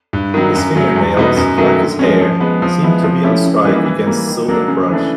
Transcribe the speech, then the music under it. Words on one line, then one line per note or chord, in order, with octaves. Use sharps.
His finger-nails, like his hair, seemed to be on strike against soap and brush.
G2
D#3 F#3
F#2
C#3 F#3 A3
E2
B2 G3 B3 D#4
F#2
D#3 F#3 A3
D3
F3 G#3 C#4
F3
G#3 B3
F3
G#3 B3 E4
F3
A3 C#4 E4 G4
C#3
E3 G3 A#3 D#4
E3
G3 A#3
D#3
F#3 A#3 D4
C#3
E3 A3 D4